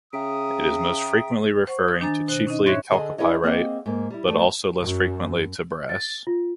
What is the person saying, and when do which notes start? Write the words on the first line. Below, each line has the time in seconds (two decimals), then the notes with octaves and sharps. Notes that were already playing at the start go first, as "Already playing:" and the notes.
It is most frequently referring to chiefly chalcopyrite, but also less frequently to brass.
0.13 C#3 G#4 E5 G5 A#5 D#6
1.67 C5 F#5 C#6
1.88 D#6
2.00 D#3 D4 G#5 A#5 A6
2.28 B2 C5 F#6
2.47 C#4 D#4 D#5
2.66 G#2 C#5 E5 C#6 F#6 G#6
2.91 D3 G#4 D#5 G#5
3.18 C#4 E4 G#4 B4 C#5 D#5
3.43 A#3 C4 G#4 C5 D#5 F#5
3.86 G#2 A#3
4.10 G3 E4
4.28 G2 A3
4.80 F#2
5.89 A6
6.27 F4